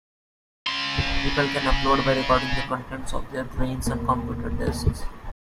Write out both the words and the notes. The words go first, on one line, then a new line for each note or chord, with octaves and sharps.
People can "upload" by recording the contents of their brains on computer disks.
C#3 C6
D1 B2 A#3